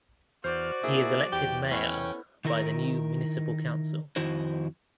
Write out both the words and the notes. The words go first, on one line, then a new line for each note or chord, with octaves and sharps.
He is elected mayor by the new municipal council.
E2 F#4 C5 D5 F6
A#3 D4 E4 G#4 E5
E2 G4 G5
B3 C#4 E4 A4 C#5
D#3 E4 A#4
F2 D#3 E4 F#4 C5